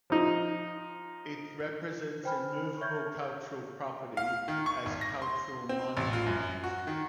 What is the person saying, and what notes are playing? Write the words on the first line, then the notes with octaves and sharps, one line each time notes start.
It represents immovable cultural property as cultural monument.
F3 D#4
B4 C5 G5 G#5 B5 F6
C#5 E5 C#6 F6 G6 G#6
F5
D#3
C#6
G#1
A#6
C6
C4
A1
F4
F#2
F#4
D#3